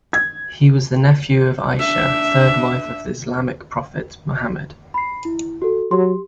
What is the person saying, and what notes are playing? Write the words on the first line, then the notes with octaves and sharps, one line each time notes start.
He was the nephew of Aisha, third wife of the Islamic prophet, Muhammad.
G#6
D4 E5
B5 C7
E4
F#4 A4
F#3 G4 C6